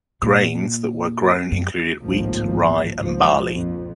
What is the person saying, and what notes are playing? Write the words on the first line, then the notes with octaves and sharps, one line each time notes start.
Grains that were grown included wheat, rye and barley.
A#2
F#2
G#1 C#2 A2 F3 A#3
C#2 G#2 F3
A#1 F2